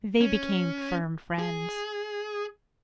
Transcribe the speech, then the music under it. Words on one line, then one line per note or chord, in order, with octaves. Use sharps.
They became firm friends.
C#4
G#4